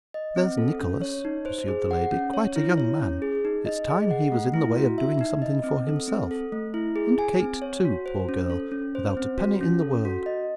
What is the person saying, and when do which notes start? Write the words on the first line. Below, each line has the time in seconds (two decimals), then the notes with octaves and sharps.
'There's Nicholas,' pursued the lady, 'quite a young man--it's time he was in the way of doing something for himself; and Kate too, poor girl, without a penny in the world.
0.14 D#5
0.36 C4
0.58 A4
0.80 C#4
1.02 C#5
1.25 D#4
1.46 C5
1.68 G#4
1.91 F#5
2.12 C#4
2.34 C#5
2.56 E4
2.78 C#5
3.00 C#4
3.22 G#4
3.45 D#4
3.66 D#5
3.89 G#4
4.11 F#5
4.32 A3
4.54 E4
4.76 F#4
4.98 E5
5.21 D#4
5.42 D#5
5.64 C4
5.87 A4
6.08 C4
6.31 A4
6.52 A3
6.74 E4
6.96 G#4
7.19 G#5
7.40 C4
7.62 C#5
7.85 F#4
8.06 C5
8.29 C#4
8.50 A4
8.72 C#4
8.95 C5
9.17 C4
9.38 F#4
9.61 C#4
9.82 A4
10.05 F#4
10.26 D#5